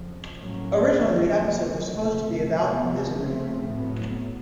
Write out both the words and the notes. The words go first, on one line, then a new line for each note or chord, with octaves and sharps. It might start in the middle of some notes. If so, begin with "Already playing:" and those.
Originally, the episode was supposed to be about "Misery".
Already playing: F2 C#3 F3
A2 F#3 A#3 C#4
F2 D3 F#3
B2 F#3 B3
C3 F3 A3
C3 F3 G#3 B3
C#3 F3 A3 C4
A2 F#3 B3